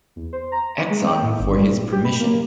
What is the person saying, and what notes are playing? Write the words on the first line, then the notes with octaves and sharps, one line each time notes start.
Exon for his permission.
E2
C5
A#5
G#3
G5
A2
G1
G3
A#2
G4
B5
A#3